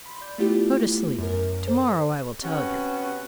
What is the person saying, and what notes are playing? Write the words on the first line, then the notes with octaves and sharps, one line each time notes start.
Go to sleep; to-morrow I will tell you.'
B5 C6
D5 G6
A3 B3 E4 F4 G4
F#2 A#4
A4 C5
C3 B3 C#4 F#4